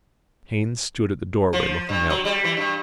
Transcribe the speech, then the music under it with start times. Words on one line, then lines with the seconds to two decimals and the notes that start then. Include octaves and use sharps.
Haines stood at the doorway, looking out.
1.53 F3
1.89 G2
2.10 F#3
2.25 G3
2.44 E3
2.57 G2